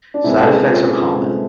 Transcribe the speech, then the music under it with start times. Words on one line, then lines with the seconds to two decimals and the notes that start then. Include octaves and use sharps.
Side effects are common.
0.14 D4
0.24 C3 G#3 B3 E4
0.41 A4
0.46 G#4
0.69 F4
0.90 F4
1.13 C3 G#3 B3 F4